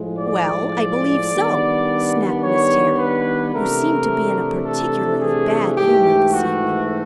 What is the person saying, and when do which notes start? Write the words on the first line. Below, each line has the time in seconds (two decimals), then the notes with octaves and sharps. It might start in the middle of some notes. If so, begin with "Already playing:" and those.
"Well, I believe so," snapped Miss Terry, who seemed to be in a particularly bad humor this evening.
Already playing: A2 F3 G#3
0.19 D5
1.31 D#3 G3 B3 D4
2.42 C#5
2.98 B4
3.54 C3 E3 A3 D4 A#4
4.65 A4
5.21 G#4
5.76 G#2 E3 A3 G4
6.32 F#4